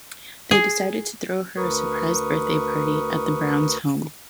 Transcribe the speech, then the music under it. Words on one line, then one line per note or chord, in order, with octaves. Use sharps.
They decide to throw her a surprise birthday party at the Browns' home.
G#4
D2 A#4 B4 C#6 D#6